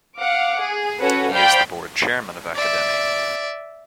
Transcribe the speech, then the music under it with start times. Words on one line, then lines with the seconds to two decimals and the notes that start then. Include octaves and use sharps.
He is the board chairman of Academi.
0.19 F5 F#5 D6
0.60 G#4
1.01 C#4 F#4 A4 B4 C#5 F#5
1.33 C5 D5 F5 G5 B5 G6
2.55 D5 E5